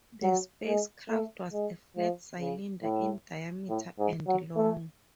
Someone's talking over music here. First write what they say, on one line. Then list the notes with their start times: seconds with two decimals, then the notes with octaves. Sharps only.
The spacecraft was a flat cylinder, in diameter and long.
0.23 F#3
0.66 G#3
1.09 A3
1.53 G#3
1.96 F3
2.39 C#3
2.83 A2
3.69 A2
3.99 G#2
4.27 F#3
4.56 A3